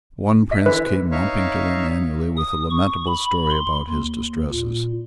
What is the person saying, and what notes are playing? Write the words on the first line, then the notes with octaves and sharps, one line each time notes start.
One prince came mumping to them annually with a lamentable story about his distresses.
D#5 B6
D3 E3 B4
D#4 C#5 E5 F5
D#6
C#6
B5
C6
D#2
A#2